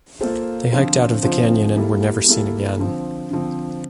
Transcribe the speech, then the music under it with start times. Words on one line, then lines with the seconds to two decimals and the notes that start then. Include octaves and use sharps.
They hiked out of the canyon and were never seen again.
0.21 A#3 F4 A4 C5
0.72 D3 F3 C4 F4 C5
1.23 D3 F3 C4 F4 C5
1.76 G3 A#3 E4 A4
2.27 G3 A#3 E4 A4
2.79 D3 F3 C4
3.30 D3 F3 C4